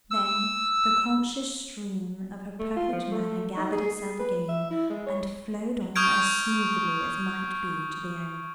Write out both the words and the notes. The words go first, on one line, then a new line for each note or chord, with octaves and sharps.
Then the conscious stream of her perfect manner gathered itself again and flowed on as smoothly as might be to the end.
E6
A3
F4
F3
A3
D#4
G#4
G#4
B4
E5
E4
G#3
C#5
C#6 D#6 F6 G6 G#6 D7